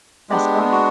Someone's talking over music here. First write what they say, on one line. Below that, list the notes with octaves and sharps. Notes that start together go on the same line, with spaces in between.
That's right.
G#3 B3 D4 G4
F#4